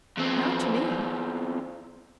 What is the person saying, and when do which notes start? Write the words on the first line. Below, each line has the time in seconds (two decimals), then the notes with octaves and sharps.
"Not to me."
0.18 E2 C4